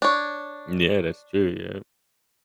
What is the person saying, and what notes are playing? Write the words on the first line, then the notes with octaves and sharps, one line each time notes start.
Yeah, that's true, yep.
D4 C#5